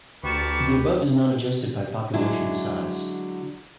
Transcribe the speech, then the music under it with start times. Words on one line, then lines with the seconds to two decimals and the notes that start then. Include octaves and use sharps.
The above is not adjusted by population size.
0.23 D2 G4 A#4 B4 A5 C#6
2.13 D3 F#3 G#3 E4